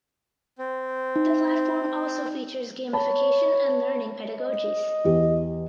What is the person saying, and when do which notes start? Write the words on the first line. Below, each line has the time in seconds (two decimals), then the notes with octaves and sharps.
The platform also features gamification and learning pedagogies.
0.59 C4
1.16 D#4
2.93 C#5 A5 B5
4.39 D#5
5.05 E2 G4